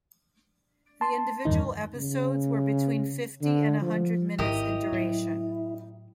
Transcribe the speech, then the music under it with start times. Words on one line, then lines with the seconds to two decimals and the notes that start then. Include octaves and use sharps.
The individual episodes were between fifty and a hundred minutes in duration.
1.01 A5 C6
1.45 E2 G2 D#3 D#4
1.96 C#3
3.42 D3
3.81 F3
4.39 G#1 G#2 E4 G4 A#4 D#5
4.92 A2 F#3